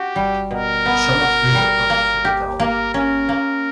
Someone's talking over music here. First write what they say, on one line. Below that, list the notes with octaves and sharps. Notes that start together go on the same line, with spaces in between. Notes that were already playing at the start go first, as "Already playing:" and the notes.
The Shallotte River passes through the town.
Already playing: F#4 G4
G3
B2 A#4
B3
F#4
G3
A#3
G4
A#3 A#4
C#4 A#4
A#3